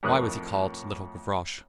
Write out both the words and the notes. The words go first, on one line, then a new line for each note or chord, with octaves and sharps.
Why was he called Little Gavroche?
F2 A2 A#4 D#6 F#6